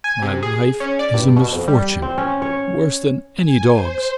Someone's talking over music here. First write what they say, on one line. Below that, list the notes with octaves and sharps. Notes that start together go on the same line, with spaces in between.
My life is a misfortune, worse than any dog's...
G#5
C3
G#4
C#4
D5
G2
B2
F2
G3
C4
C#4
C#5
G#5
C5